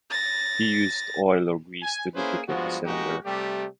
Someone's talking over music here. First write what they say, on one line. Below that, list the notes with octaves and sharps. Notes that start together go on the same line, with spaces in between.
He used oil or grease to lubricate the cylinder.
A6 A#6
G#5
A#3 C#4 E4 G#4 B4 C5
G2 F3 G#3 B3 F#4
G#3 A#3 D#4 F#4 G4
C3 G3 A3 G4